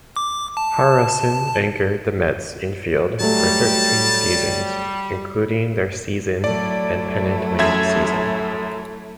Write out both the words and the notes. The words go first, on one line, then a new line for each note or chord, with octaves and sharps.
Harrelson anchored the Mets' infield for thirteen seasons, including their season, and pennant-winning season.
D6
A5
F#3 G3 A3 A5
F#3 A3 E4 D5
F#2 E5 G#6